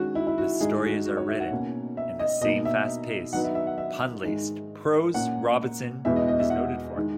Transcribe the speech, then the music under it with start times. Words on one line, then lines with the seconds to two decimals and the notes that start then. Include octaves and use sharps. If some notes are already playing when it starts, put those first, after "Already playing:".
The stories are written in the same fast-paced, pun-laced prose Robinson is noted for.
Already playing: D#3 G#3 C#4 F#4
0.15 E4
0.27 E4
0.38 F#4
0.60 G#2 D#3 G#3 D#4 G#4
0.84 F#4
1.06 F#4
1.17 C#5
1.29 E5
1.40 F#5
1.51 B2 A#3 C#4
1.97 E5
2.19 D#5
2.42 B2 A#3 D#4 D#5
2.65 E5
3.32 D#3 F#3 B3 D#4 F#5
3.44 E5
3.55 E5
3.67 F#5
3.78 E5
4.23 G#2 D#3 G#3 D#4
5.14 A#2 A#3 C#4 F#5
6.05 E2 B2 G#3 B3 E4 E5
6.16 D#5
6.28 D#5
6.39 E5
6.50 F#5
6.96 D#3 G#3 D#4